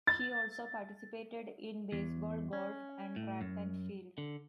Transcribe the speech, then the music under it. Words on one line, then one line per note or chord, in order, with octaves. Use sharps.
He also participated in baseball, golf, and track and field.
A6
E2
C#4
A2
F#2
D3